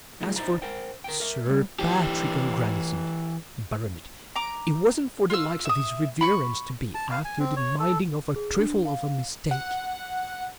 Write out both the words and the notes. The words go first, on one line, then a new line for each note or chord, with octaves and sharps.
As for Sir Pathrick O'Grandison, Barronitt, it wasn't for the likes of his riverence to be afther the minding of a thrifle of a mistake.
F#3 A3 D#4 F4 G#4
D#4 E4 G#4 C5 D5 A#5
A#4 C5 G5
A#4 G5
A#4 E5
A2 G3
E3 G4
A#5 D6
F4 E6
E5 D#6
B5 C#6
A5
F5
G#5
C4
C#5
A4
G#4
D4
F5
F#5